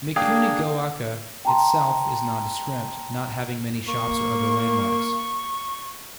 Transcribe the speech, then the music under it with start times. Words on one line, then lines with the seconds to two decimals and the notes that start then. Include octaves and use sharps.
Mikunigoaka itself is nondescript, not having many shops or other landmarks.
0.16 A#3 D4 G#4 F5 G5
1.45 G5 A5 A#5 C6
3.88 A#3 C#6